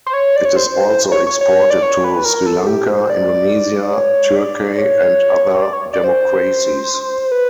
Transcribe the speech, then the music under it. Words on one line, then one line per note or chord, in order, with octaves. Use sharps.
It is also exported to Sri Lanka, Indonesia, Turkey and other democracies.
C5
C#5
D5
C#5
C5
C#5
C#5
C#5
D5
C#5
B4
A#4
A4
G4
C5
D5
C#5
D5
C#5
D5
C#5
D5
C5
B4